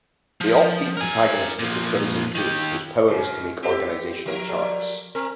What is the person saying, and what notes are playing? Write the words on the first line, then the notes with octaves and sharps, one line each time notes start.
The off-beat protagonist is the Crimson Tape, whose power is to make organizational charts.
F3
A#4 G#5
A#2 F3
D#3 G4
G#2 C#3
B3 C4 G4
F3 E4 A#4
G3 A4 D5
C4 A#4